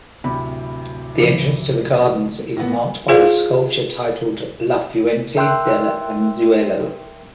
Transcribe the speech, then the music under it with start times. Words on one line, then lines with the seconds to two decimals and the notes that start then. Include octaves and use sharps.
The entrance to the gardens is marked by the sculpture titled “La Fuente del Anzuelo”.
0.24 D1 C3 B5
1.18 A#2 C#3 F3
2.57 A2 E3 B3
3.08 F4 G#4 C5 F5
5.36 A#4 E5 G5 C6 E6 F#6